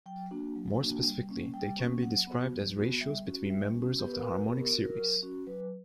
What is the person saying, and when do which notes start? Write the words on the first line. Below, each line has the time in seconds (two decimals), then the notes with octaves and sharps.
More specifically, they can be described as ratios between members of the harmonic series.
0.06 F#3 G5
0.31 A#3 D4 F#4
0.56 F#3
0.80 A#3 D4 F#4
1.05 G3
1.29 A#3 C#4
1.54 G3 G5
1.78 A#3 C#4
2.03 F#3 F#5
2.27 B3 F#4
2.52 F#3
2.76 B3 F#4
3.01 G3 E5
3.26 C#4 F#4
3.50 G3 E5
3.75 C#4 F#4
3.99 B3 G4
4.06 B4
4.12 A#4
4.24 F#4 B4
4.36 A#4
4.48 B3 G4
4.61 A#4
4.73 F#4
4.85 A#4
4.97 F#3 A#4
5.22 C#4 F#4
5.47 F#3 B4